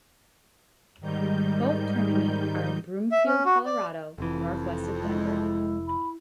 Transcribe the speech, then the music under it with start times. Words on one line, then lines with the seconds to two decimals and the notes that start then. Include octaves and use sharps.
Both termini are in Broomfield, Colorado, northwest of Denver.
1.01 G#2 D#3 G3 D#4 G6
3.12 E5
3.27 C#4
3.45 F#4
3.66 D5
4.18 F1 F2 E3
5.04 G#3 E4
5.87 B5